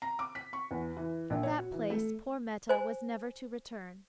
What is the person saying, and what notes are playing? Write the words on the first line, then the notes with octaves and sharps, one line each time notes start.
From that place poor Meta was never to return.
A#5
D6
B6
C#6
E2
E3
A#1
C#5
F#4
E3
A3
C5 G#5